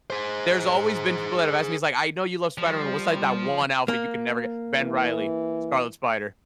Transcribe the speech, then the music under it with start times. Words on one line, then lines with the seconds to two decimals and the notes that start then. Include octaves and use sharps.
There's always been people that have asked me, it's like, "I know you love Spider-Man. What's, like, that one outfit you can never get?" Ben Reilly, Scarlet Spider,
0.10 G#4 C5
2.58 F3 G3
3.88 A#3
4.77 E3